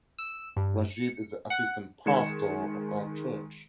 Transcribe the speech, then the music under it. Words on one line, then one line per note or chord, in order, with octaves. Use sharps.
Rajib is the assistant pastor of our church.
E6
G2
C#7
F#5
D#3 G#3 G#6 C#7 E7